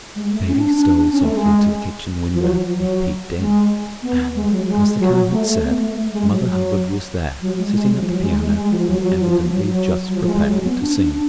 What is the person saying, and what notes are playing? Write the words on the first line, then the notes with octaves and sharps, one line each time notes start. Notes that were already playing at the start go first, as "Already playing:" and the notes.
Davy stole softly to the kitchen window and peeped in, and, as the Cow had said, Mother Hubbard was there, sitting at the piano, and evidently just preparing to sing.
G#3
A3
C#4
D4
D4
D4
D4
C#4
A3
G#3
F3
F#3
F3
F#3
G#3
B3
G#3
F#3
G#3
F#3
A3
A3
B3
A3
A3
G#3
F#3
F#3
F#3
G#3
G#3
F#3
F3
F#3
G#3
G#3
G#3
F3
F#3
F#3
F3
F#3
F#3
F#3
F3
G#3
G#3
F#3
B3
D4
D4
D4